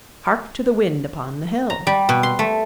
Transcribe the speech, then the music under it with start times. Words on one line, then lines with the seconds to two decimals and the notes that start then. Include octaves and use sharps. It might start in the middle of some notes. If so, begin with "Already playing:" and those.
Hark to the wind upon the hill!
1.70 A#5
1.87 G3
2.09 B2
2.23 C6
2.39 A3